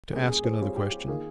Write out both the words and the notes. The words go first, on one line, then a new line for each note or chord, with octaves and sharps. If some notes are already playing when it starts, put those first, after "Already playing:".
To ask another question.'
A#4
A#2 G3 C#4 G#4
G#4
C5
G3 C4 F4 C#5
G4
G4
D#3 A#3 F4 G#4